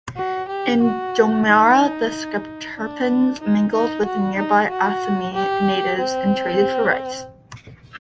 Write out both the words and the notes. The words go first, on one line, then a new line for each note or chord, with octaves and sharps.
In Doimara, the Sherdukpens mingled with the nearby Assamese natives and traded for rice.
F#4
G4
F#4
D#4
D4
D#4
D#4
F#4
D#4
F#4
G4
C4